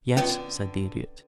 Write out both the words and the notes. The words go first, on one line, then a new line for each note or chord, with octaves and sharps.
"Yes," said the Idiot.
F2 C3 B3 C#4
D3